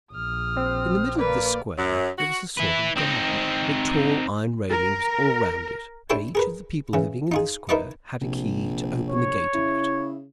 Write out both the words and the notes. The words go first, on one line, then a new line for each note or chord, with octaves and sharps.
In the middle of this Square there was a sort of garden with tall iron railings all round it, and each of the people living in the Square had a key to open the gate of it.
A#1 D#6 F6
C4
A#3 B4 D5 F5
F#2
F#4
E4 B4
C4 D#4
A#4
D4 E4 G4 A4 C5 C#5
G#4 A#4 B4
C#3 E3
D#4 F4 G#4
D#4 E4 A#4 B4 D5 D#5
A#1 C3
C#5
C#3 E4